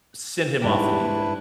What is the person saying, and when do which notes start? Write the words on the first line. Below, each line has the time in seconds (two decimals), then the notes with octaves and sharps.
sent him off the deep end.
0.62 G#2 G3 D4 E4 G4 B4